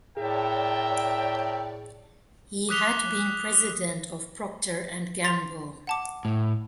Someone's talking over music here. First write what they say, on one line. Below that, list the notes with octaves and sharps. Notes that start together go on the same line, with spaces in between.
He had been president of Procter and Gamble.
A2 G#4 A#4 C#5 D5 E5 G5 A5
D6 D#6 F#6 B6 F7 G7
C6 A6 F7
F#5 A5 D6
A2